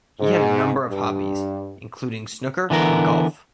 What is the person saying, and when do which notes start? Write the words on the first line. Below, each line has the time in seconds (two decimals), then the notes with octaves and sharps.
He had a number of hobbies, including snooker and golf.
0.20 G#2
0.88 G2
2.70 D3 E3 B3 A#4